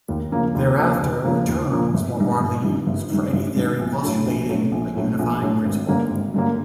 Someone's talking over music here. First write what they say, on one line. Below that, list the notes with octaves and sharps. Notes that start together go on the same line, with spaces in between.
Thereafter the term was more broadly used, for any theory postulating a unifying principle.
D#2
C#3 F3 A#3
D#2
C#3 F3 A#3
D#2
C#3 F3 A#3
D#2
C#3 F3 A#3
G1
G2 D#3
G1
G2 D#3
G1
G2 D#3
G1
G2 D#3
A#1
A2 F#3 A3 D4
A#1
A2 F#3 A3 D4
A#1
A2 F#3 A3 D4
A#1
A2 F#3 A3 D4
G#1
G2 D3 F#3 A#3
G#1
G2 D3 F#3 A#3